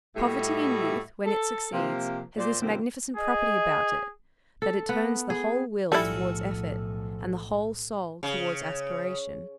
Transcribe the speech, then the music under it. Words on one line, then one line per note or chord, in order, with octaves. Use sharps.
Poverty in youth, when it succeeds, has this magnificent property about it, that it turns the whole will towards effort, and the whole soul towards aspiration.
A2 G3 F#4 G4 D#5 E5
A4
C3 F3 A#3
A#2 C5 D5
F#2 B2 D3 A#3 C4 E4
G#4 D#5
A4
B3
G#4
B1 A2 F3 G3 E4 F#4 G#4 A4
C#3